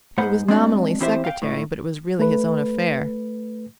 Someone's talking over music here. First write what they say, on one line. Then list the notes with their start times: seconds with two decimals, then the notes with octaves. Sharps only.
He was nominally secretary, but it was really his own affair.
0.18 G#2 B3 C5 F#5 B5
0.48 G#3 C4 D4 F#4
1.01 E2 C4 E4 G4 C5 E5
1.25 F5 G5
1.42 A2
2.19 A3 B4